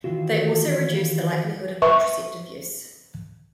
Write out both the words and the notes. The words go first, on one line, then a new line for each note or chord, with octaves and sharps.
They also reduce the likelihood of contraceptive use.
D#3 E3 F4 F#4
B4 E5 C#6